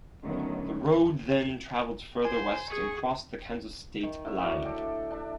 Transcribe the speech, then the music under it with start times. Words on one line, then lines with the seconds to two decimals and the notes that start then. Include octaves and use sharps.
The road then traveled further west and crossed the Kansas state line.
0.22 D3 D#3 F#3 A3 B3 C#4
2.25 C5 G#5
2.70 G#4 C#6
4.03 D#3
4.25 A2 D3 E5
4.41 A2 F#4 A#4 D5
4.65 D4 G4 A4
5.10 D4 E5